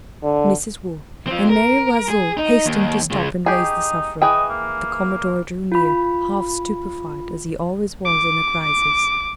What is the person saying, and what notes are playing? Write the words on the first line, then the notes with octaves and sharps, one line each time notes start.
Mrs. Waugh and Mary L'Oiseau hastened to stoop and raise the sufferer. The commodore drew near, half stupefied, as he always was in a crisis.
D3
C4 F4
A#4
G#4
D#4
D#2
C#3 G#3
D#4 G4 G#4
E3 G#4 D#5 G5
A#3
F4 B5
D6
D6